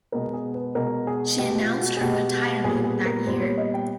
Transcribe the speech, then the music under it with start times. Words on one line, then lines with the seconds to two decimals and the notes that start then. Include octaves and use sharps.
She announced her retirement that year.
0.12 B2 G#3 B3 A#4
0.34 G#4
0.55 B4
0.75 B2 G#3 B3 A#4
1.07 G#4
1.38 B2 G#3 B3 G4
1.59 F4
1.81 F#4
1.97 G#4
2.01 B2 G#3 B3 G4
2.64 A#2 G3 B3 G#4
2.84 G#4
3.05 A#4
3.27 A#2 G3 B3 C5
3.42 C#5
3.57 D#5
3.74 G5